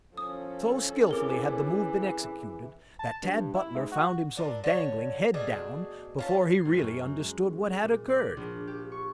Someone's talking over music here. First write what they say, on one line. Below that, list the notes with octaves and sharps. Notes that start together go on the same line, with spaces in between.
So skilfully had the move been executed that Tad Butler found himself dangling, head down, before he really understood what had occurred.
F3 C#4 A4 D#6
E3 C4 G#4 A#4 D6
A5
G2
E4
G#2
F#4
A#2 D4
D3 C#5
B2 A3 D4 G#4
C#4 F4 A5
C7
G#1
F#2
G#3
A#2
D5
A#1
G4
C#6